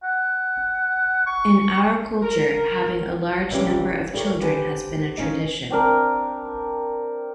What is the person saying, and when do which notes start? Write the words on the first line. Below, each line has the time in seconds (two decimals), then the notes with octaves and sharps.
In our culture, having a large number of children has been a tradition.
0.03 F#5
1.26 C#6
2.23 A#4
3.50 D2 C3 E3 C#4 G4
4.13 E2 G4 A4 A#4 C#5
4.41 G4 B4 C5 G#5 A5
5.17 F3 F#3 C#4 D#4 D#5
5.70 C4 D4 A#4